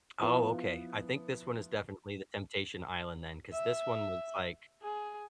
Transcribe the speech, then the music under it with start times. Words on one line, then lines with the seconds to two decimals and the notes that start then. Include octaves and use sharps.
Oh, okay. I think this one is definitely the Temptation Island then, 'cause this one was like
0.22 F3 B3 E4 F4
3.53 E5
4.81 G#4